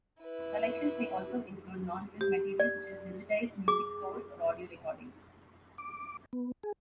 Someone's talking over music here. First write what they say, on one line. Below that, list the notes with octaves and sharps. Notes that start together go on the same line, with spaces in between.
Collections may also include non-print materials, such as digitized music scores or audio recordings.
E4 B4
G4
D5
G#4 D6
D6
B3
G#4